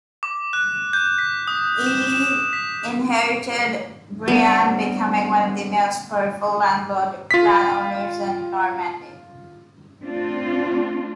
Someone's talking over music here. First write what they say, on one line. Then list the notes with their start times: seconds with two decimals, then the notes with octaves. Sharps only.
He inherited Brionne, becoming one of the most powerful landowners in Normandy.
0.23 D6
0.53 F#6
0.93 G6
1.18 B6
1.47 D#6
1.87 E7
2.13 E7
2.30 E7
2.53 B6
4.28 G3 B3 C4 D4
7.31 F4 B6
10.03 A3 C4 D4 F4